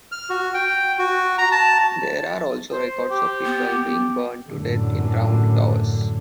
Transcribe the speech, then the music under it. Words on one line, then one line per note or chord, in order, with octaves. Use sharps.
There are also records of people being burned to death in round towers.
F6
F#4
G5
F#4
A#5
A5
C5
G4
B3
F#2 A2 D3